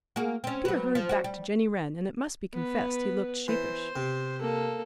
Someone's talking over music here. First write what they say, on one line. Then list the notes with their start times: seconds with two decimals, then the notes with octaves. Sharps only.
Peter hurried back to Jenny Wren and it must be confessed he looked sheepish.
0.16 A#3 F#4 G#4
0.44 C4 C#4
0.65 F#3 B4
0.95 F3
1.09 F3 G3 F#4
1.24 G3
2.54 B3 B4
3.48 E3 C5
3.96 C3
4.40 A#3 A4